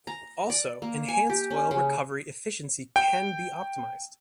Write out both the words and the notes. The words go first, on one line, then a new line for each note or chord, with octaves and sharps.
Also enhanced oil recovery efficiency can be optimized.
A#5
D5
A#3
G#5
G4
C#4
C#3
G5